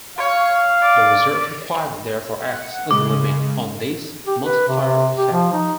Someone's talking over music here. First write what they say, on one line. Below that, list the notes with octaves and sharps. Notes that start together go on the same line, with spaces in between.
The reserve requirement therefore acts as a limit on this multiplier effect.
C#5 F5
D5
F#5
C#3 G#3 D6
G4
B4
C3
C3
G4
F3
D#4